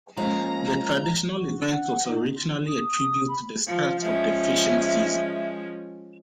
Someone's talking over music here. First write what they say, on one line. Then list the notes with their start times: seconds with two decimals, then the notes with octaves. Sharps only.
The traditional event was originally a tribute to the start of the fishing season.
0.17 F3 G#3 A#3 C#4 F5 A#5
1.30 F#4
1.70 F#5
2.06 D#4
2.33 F4
2.66 D#6
3.27 B5
3.67 F3 F5
4.01 F3 G#3 C#4 E5